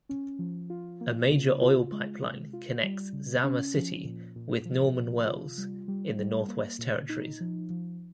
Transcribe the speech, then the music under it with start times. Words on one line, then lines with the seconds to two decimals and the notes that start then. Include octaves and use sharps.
A major oil pipeline connects Zama City with Norman Wells in the Northwest Territories.
0.09 C#4
0.39 F3
0.70 F4
1.01 A#3
1.31 C#3
1.61 F4
1.92 G#3
2.22 C3
2.53 F4
2.83 G3
3.13 C#3
3.44 C#4
3.75 F3
4.05 A#2
4.36 A#2
4.65 F3
4.96 C3
5.27 F4
5.58 G3
5.88 G3
6.19 G3
6.48 A#3
6.79 A#2
7.09 D#4
7.40 F3
7.70 F3